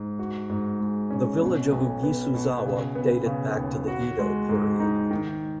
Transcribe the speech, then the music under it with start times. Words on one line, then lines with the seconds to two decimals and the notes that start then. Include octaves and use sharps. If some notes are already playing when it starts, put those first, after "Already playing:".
The village of Uguisuzawa dated back to the Edo Period.
Already playing: G#2
0.19 F#4
0.50 G#2
0.80 G#3
1.10 C#4
1.42 B2
1.72 B1
2.03 B3
2.35 B2
2.65 C#3
2.95 B3
3.26 C#3
3.57 D#2
3.88 F#4
4.19 G#3
4.49 G#2
4.80 D#4
5.11 D#3